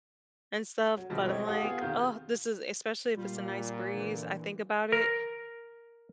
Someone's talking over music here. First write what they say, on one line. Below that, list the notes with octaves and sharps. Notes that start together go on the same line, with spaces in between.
and stuff, but I'm, like, "Oh, this is" especially if it's a nice breeze, I think about it,
F#3
B2 D3 F3 G3 G#3
C4 E4 C#5 D#5
G4 A4 F5 F#5 D#6
B3 F4 G#4
C3 D#3 F4 F5 G6
A#2 G3 F4
D3 E3
A#4